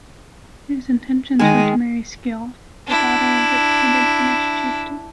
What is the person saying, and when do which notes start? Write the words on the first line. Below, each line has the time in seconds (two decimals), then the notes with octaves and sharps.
His intentions were to marry "Skjalf", the daughter of the defeated Finnish chieftain.
1.39 D#3 G#3 G#4
2.87 D4 E4